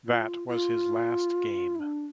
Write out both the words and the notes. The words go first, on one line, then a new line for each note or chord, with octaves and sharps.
That was his last game.
F4
F4
E4
D4